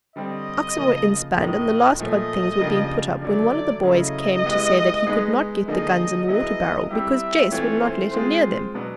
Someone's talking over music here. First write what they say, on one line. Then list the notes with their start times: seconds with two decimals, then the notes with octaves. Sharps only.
The oxen were inspanned and the last odd things were being put up when one of the boys came to say that he could not get the guns and water-barrel because Jess would not let him near them.
0.16 D3 G3 C4 D#5
0.77 C#3 F3 A#3
1.38 A2 F3 A#3 D#4 D#5
1.99 A#2 F3 A3 D#5
2.61 C#3 F3 A#3 D4 G4
3.22 D3 F#3 A3 D5
3.83 C#3 F#3 A3 C#4 E4 D#5
4.45 G#3 B3 E4 G4
5.07 G#3 B3 D#4 G#4
5.68 D3 F3 A#3 D#4 G#4 D#5
6.29 F#3 B3 E4 G#4 D#5
6.91 G3 C4 E4 G4 E5
7.52 E3 A3 C4 F4 C#5
7.83 C5
8.13 G#3 C4 F4 G#4 C5
8.74 B2 F#3 B3 D4